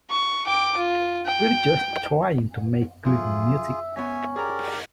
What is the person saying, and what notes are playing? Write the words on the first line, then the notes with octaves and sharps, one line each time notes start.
We're just trying to make good music.
C#6
G5 D6
F4
G5
D3 F3 F#3 F4 G#4 E5
C#2 B3 C#4 C#5 E5 G#5
G4 G#4 A#4 D5 A#5